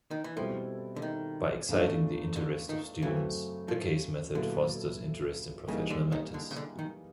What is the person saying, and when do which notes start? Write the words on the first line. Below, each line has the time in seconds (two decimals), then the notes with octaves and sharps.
By exciting the interest of students, the case method fosters interest in professional matters.
0.11 D#3
0.24 E3
0.36 B2 F3 G3 C4 E4 A4
0.96 D3
1.02 D#3
1.69 E2 C#3 F3 A3 D4
2.36 D3
2.69 D#3
3.02 F#2 C#3 E3 F#3 A3 C4
3.68 F3
4.35 A#2 D3 F#3 B3 E4 A4
5.68 C#3 E3 G3 A#3 D#4 G#4
5.90 D3
6.12 D#3
6.34 D3
6.51 C#3
6.56 D3
6.79 D#3